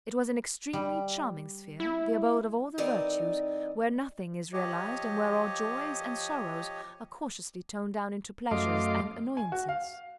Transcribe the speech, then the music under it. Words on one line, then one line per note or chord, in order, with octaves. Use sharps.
It was an extremely charming sphere, the abode of all the virtues, where nothing is realized and where all joys and sorrows are cautiously toned down into pleasures and annoyances.
G3
E4
E3 C4 D#4 A#4 D5 D#5
F3 G4 C#5 D#5
F#2 A3 D#5 F5 C6 D6
G#5
F#4
F5